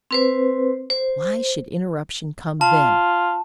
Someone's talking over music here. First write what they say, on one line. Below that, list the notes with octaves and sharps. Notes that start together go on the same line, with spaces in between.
Why should interruption come then?
C4 B4 C5
C5
F4 A5